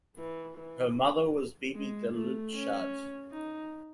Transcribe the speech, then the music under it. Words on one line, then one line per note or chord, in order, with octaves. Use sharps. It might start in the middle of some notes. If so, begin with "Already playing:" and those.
Her mother was Bibi Daulat Shad.
E3
E3
G#3
A3
C#4
D#4